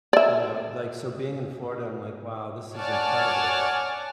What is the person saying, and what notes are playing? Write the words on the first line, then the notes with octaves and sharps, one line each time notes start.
No, no, like, so being in Florida, I'm like, "Wow, this is incredible."
D5 E5
C#5 D5 F#5 G#5 A5 F6